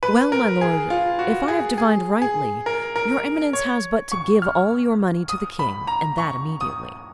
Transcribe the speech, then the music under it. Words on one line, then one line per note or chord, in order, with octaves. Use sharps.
"Well, my lord, if I have divined rightly, your eminence has but to give all your money to the king, and that immediately."
B4
A#4
G#4
F4
F#4
G#4
G#4
G#4
A#4
A#4
C#5
C#6
F6
D#6
B5
A#5
C#6
D#6